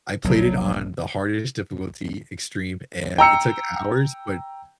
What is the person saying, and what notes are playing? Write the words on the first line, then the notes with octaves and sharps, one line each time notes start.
I played it on the hardest difficulty, extreme, and it took hours, but
A#1 D#2 B2 F#3
G5 A#5 E6 C#7